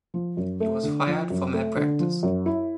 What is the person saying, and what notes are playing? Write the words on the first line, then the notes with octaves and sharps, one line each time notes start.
He was fired for malpractice.
F3
F#2
A3
D3
F3
F#2
A3
D3
F3
F#2
E4